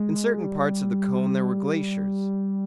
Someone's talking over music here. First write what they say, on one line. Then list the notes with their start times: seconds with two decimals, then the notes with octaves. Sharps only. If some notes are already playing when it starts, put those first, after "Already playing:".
In certain parts of the cone there were glaciers.
Already playing: G#3
0.44 G3